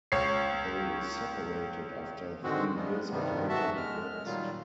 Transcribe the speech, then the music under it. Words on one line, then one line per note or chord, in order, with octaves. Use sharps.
They separated after three years and later divorced.
C#2 C#5 C7
G#2 D3 D#3 G#3 C4 F#4
F3 G3 G#3 B3
G2 C3 D#3 G3 B3
G#2 F#4 E5 A5
G#3 F6
A#2 D#3 F#3 G3 F4